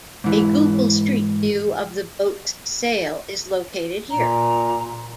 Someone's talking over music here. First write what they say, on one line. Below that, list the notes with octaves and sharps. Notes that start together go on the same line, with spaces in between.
A Google Street View of the boat's sail is located here.
G#2 E3
A#2 A#5